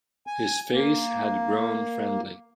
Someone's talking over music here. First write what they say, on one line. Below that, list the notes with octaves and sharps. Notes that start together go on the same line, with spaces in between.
His face had grown friendly.
G#5
A#3